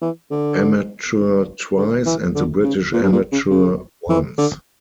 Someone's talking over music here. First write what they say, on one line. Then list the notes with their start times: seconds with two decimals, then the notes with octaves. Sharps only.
Amateur twice, and the British Amateur once.
0.01 E3
0.31 D3
1.77 D3
2.06 E3
2.35 D3
2.64 C#3
2.93 A#2
3.03 G2
3.12 A#2
3.32 C#3
3.51 C#3
4.10 E3
4.38 D3